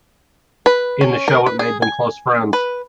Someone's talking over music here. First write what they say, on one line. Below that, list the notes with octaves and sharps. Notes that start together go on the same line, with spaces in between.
In the show, it made them close friends.
B4
C#4
A#4
B4
G#4
G#5
B4